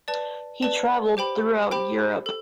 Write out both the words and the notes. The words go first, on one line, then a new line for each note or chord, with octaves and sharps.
He traveled throughout Europe.
B4 D5 A5
B4 D5 A5
G4 C5 G5 B5
G4 C5 G5 B5
A4